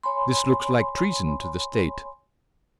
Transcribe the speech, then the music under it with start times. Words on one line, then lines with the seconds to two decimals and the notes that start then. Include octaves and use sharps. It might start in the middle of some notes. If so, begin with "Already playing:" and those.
This looks like treason to the state.
0.03 C#5 G#5 B5 C6